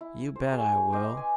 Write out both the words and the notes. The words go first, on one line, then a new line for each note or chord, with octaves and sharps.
You bet I will!
E4
C5 C#5
G#4 C5 C#5
D#5 G5 C6 D6
B4 G#5